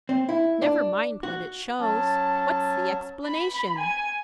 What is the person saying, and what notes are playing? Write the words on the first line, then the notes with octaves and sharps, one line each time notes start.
"Never mind what it shows; what's the explanation?"
C4
E4
D4
F#4
F#3 C#4 A5
B5
G#5